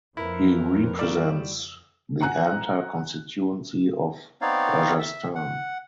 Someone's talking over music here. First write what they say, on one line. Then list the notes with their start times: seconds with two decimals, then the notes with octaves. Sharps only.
He represents the Anta Constituency of Rajasthan.
0.17 F2 E4 A#4 B4
0.99 G3 E4 F#4 D5
2.21 F#5 G#5 A#5 F#6
4.41 B3 C4 D#4 C#5 D5 F5
4.99 E5
5.35 F#5